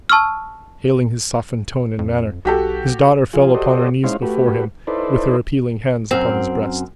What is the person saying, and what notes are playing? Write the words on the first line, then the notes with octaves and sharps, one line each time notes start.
Hailing his softened tone and manner, his daughter fell upon her knees before him, with her appealing hands upon his breast.
A5 C#6 E6 F6
F2
B1 F#4 G4 A4
F3 F4 G#4
F#4 G4 A4 C5 D5 D#5
G#3 C#4 D#4 E4 C5 F5
A3 F#4 G4 B4
D#4 E4 A4 B4 C5 D5
F#2 C4